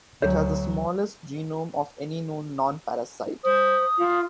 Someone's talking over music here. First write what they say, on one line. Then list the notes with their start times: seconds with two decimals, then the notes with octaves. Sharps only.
It has the smallest genome of any known non-parasite.
0.22 D2 F#3 C#5
3.44 C5 D#6
3.99 F4